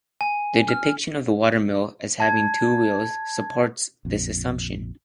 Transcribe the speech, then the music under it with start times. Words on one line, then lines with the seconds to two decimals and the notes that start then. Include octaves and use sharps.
The depiction of the watermill as having two wheels supports this assumption.
0.21 G#5
0.68 F6
2.20 A5 G#6
4.05 A#1 F2